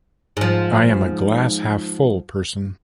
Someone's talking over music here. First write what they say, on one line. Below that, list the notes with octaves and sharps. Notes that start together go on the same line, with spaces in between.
I am a glass-half-full person.
G#2 F3